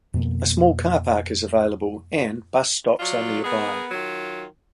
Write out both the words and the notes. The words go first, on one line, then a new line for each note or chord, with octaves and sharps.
A small car park is available, and bus stops are nearby.
F2 B2 A#3
F#3 F4 D5
B3 G#4 A#4
D#3 F#3 F4